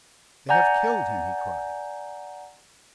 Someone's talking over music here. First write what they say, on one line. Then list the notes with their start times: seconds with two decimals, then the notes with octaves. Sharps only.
"They have killed him!" he cried.
0.49 D5 F#5 G#5 A#5 G6